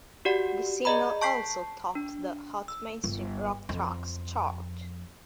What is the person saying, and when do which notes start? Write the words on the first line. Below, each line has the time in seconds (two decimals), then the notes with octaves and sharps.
The single also topped the "Hot Mainstream Rock Tracks" chart.
0.25 F#4 G4 D5 F#5
0.85 G#4 D5 D#5 A#5 B5
1.21 A5 C#6 G6 B6 C7
1.95 D4
2.68 E6
3.04 G1
3.69 F2